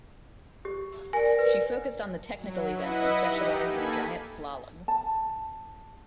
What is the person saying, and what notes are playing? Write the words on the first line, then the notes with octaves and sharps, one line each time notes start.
She focused on the technical events and specialized in giant slalom.
G4
A#4 D5 G#5
B4
F#3
E4 B4 D#5 E5 F#5
D#4 G4
A#3 A4 G#5 B5
A5